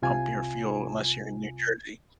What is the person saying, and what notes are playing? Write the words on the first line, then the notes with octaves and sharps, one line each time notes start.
pump your fuel, unless you're in New Jersey.
C2 C3 F4 G#5